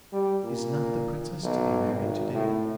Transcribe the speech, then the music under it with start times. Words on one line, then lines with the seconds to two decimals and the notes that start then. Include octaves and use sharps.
'Is not the princess to be married to-day?'
0.13 G3
0.44 A#2
1.43 B1
1.92 G#1
2.34 A2